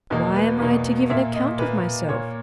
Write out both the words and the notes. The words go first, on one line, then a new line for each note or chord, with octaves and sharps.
Why am I to give an account of myself?
E2 B2 A#3 D#5
B4
E2 B2 A#3
A#2 A#3 E5
D#5
A#2 A#3 B4
A#2 A#3 C#5